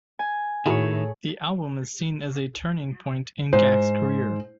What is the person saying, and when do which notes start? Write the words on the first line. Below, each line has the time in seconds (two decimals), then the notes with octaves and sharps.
The album is seen as a turning point in Gackt's career.
0.19 G#5
0.66 A2 D#3 A3 E4 F#4 G#4 A#4 C#5
3.53 G#2 C5